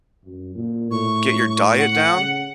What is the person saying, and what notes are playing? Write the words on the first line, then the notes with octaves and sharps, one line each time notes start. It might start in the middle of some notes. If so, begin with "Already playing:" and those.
get your diet down
F#2
A#2
A2 C#6
F#5
C#3